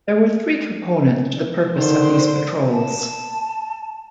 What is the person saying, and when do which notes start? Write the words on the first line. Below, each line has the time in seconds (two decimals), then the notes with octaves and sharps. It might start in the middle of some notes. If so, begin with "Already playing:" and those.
There were three components to the purpose of these patrols.
1.77 D3 D#3 C5
2.72 A5